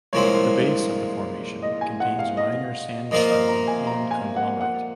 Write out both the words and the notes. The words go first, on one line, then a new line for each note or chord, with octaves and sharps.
The base of the formation contains minor sandstone and conglomerate.
C2 A#2 F3 G#3 C4 C#5
D#5
G#5
F#5
F5
D#5
A#2 F3 A#3 F4 A#4 D#5
D#5
A#5
G#5
A#5
G#5
F#5
F#5